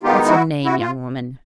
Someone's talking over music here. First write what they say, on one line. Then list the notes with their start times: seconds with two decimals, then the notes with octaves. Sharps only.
What's your name, young woman?'
0.03 D#3 G#3 B3 D#4 F4 G4
0.26 E4 F#4
0.64 E4 F#4
0.80 F4